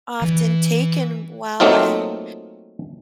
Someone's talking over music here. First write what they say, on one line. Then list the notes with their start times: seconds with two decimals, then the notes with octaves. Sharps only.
often taken well, and
0.22 E3
1.60 F#3 A3 A#3 C4 D#4 F4